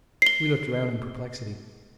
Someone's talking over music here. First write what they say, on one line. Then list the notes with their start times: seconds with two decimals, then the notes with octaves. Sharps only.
We looked round in perplexity.
0.22 C7 G7